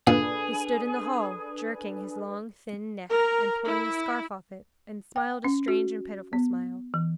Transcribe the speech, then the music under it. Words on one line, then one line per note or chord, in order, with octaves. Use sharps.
He stood in the hall, jerking his long thin neck, and pulling the scarf off it, and smiled a strange and pitiful smile.
A#2 D4 G#4 A4 B4
A#4
E4
G5
C#4
F#4
B3
E3